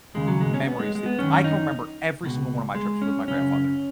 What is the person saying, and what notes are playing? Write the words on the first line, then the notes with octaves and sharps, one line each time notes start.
memories that I can remember every single one of my trips with my grandfather.
D#2 C#3 G#3
F#3
G#3
C#4
B3
G#3
G#3
B3
F#2 D#3 C#4
D#4
C#2 B2
G#3
C#4
F#2 C#3 C#4